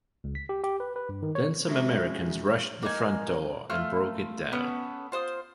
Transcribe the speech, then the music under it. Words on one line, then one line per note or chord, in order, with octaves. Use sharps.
Then some Americans rushed the front door, and broke it down.
C#2
B6
G4
G4
B4
B4
G2
D#3
C#5
G#3 C#4 F#4 G#4 D5 E5
A#3 D#4 G#5
A3 F4 F6
B3 C#4 A4
F4 C5 D#6